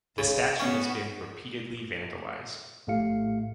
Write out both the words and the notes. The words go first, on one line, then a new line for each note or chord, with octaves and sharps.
The statue has been repeatedly vandalized.
C#3
B3 C#4 F#4
A#1 A2 A3 G4 F5 C#7